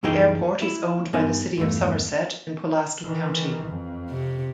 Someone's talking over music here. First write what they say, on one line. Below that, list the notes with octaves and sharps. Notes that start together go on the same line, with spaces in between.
The airport is owned by the city of Somerset and Pulaski County.
C2 F#2 E3 D#4 G#4 G5
E4
G2 B3 D#4 A#4 G#5
E2 G2 A3
D#3 E3
F2
C3